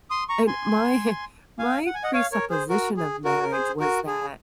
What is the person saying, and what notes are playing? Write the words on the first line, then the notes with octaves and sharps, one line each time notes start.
And my, huh, my presupposition of marriage was that,
C6 D#6
A#5 C#6
G#5 C6
F5 G#5
F#5
G#5
D#5 F#5
C#5 F5
A#4 C#5
G#4 C5
F#4 A#4
G#4
F#4 A#4
A#4
G#4 C5
F#4 A#4
G#4